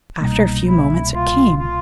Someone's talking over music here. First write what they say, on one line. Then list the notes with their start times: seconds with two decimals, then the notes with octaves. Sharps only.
After a few moments it came.
0.21 C2 B2 G3 A#3 D#4
0.67 E4
1.14 F4
1.59 F4